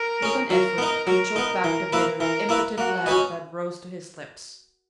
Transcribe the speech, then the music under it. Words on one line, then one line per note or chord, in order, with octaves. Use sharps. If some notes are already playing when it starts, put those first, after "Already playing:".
With an effort, he choked back the bitter, impotent laugh that rose to his lips.
Already playing: A#4
C#4 G#4
F#3 A#4
B3 D#4
F#3 A#4
B3 D#4
E3
A#3 E4 B4
E3 A#4
A#3 E4 B4
A#3 F#4
C#4 F#4 B4 D#5